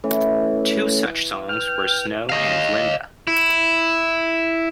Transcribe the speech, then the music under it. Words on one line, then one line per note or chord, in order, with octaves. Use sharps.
Two such songs were "Snow" and "Linda".
E3 A3 C#4
G5 F6
D#5 F5
E4